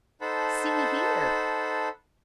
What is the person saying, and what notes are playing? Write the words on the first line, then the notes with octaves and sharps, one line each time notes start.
See here.
D#4 A4 C5 F#5 A5 B5